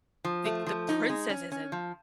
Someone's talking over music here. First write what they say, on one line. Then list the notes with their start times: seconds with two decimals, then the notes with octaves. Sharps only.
the the princess is in
0.25 F3
0.45 A3
0.66 F3
0.89 D#4
1.09 G#3
1.29 C#4
1.52 C#4
1.72 F3